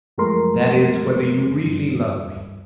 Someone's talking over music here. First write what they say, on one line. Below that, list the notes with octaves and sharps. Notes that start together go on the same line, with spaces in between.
"That is, whether you really love me?"
F#2 F3 G#3 A3 A#4 C6
G2